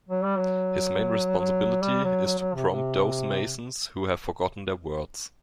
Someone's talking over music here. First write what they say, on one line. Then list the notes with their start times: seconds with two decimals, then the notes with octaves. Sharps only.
His main responsibility is to prompt those masons who have forgotten their words.
0.09 F#3
0.24 G3
0.38 F#3
1.38 F#3
1.82 G3
2.04 F#3
2.26 F#3
2.39 F#3
2.55 C3
2.68 C3